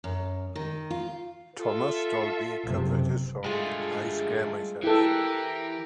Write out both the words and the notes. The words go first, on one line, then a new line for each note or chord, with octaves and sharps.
Thomas Dolby covered his song "I Scare Myself".
F#2
D#3
F4
F4 A4 E5
F#1 C3
G2 G#3 A3 F4
E3 E4 G4 A4 A#4